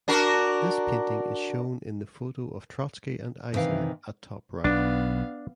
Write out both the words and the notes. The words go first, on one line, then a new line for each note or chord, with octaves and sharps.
This painting is shown in the photo of Trotsky and Eisner at top right.
D4 F#4 A#4
F#2 C3 D#3 E3 F5
B1 B3 D4 F5